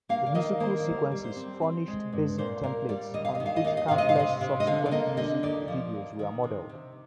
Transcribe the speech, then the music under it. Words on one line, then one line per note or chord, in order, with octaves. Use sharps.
The musical sequences furnished basic templates on which countless subsequent music videos were modeled.
A#3 F5
D5
D#3 D#5
A#3 C5
D5
G3 C5
G3
C5
C4
C4
G#3
G2
A#2 C5
A#2 A#4
G3 D5
D#2 D#5
F5
D#5
D#3
F5
D#5
D#2 F5
D#5
C3 F5
D#5
F5
C3 D#5
C3
D#5
D3 F5
D5
A#3 D#5
D3 D#5
D#2 D5
F3
D#2
D#3
C3
C3